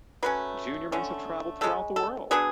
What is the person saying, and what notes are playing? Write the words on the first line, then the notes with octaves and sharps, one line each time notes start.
Junior Mints have traveled throughout the world.
F#3 A3 C#4 B4
D3 A3 C#4
C#3 G#3 C#4 A4
A4
F#3 B3 D4 G#4